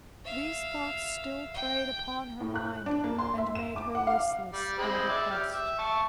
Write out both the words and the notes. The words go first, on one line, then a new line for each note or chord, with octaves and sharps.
These thoughts still preyed upon her mind, and made her listless and depressed.
E5 F5
G5
A2
F#6
D4
A#3
C6
E5
E7
D6
F#5
F5
G3
G#3 C4 B5
D5 E5
G4 F6
E5
A5 C#6